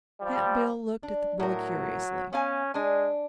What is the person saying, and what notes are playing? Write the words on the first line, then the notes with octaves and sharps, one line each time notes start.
Cap'n Bill looked at the boy curiously.
F3 G3
D4
A2 F#3 A#4
B3 C#4 F5 G#5
G#3 D4 G#5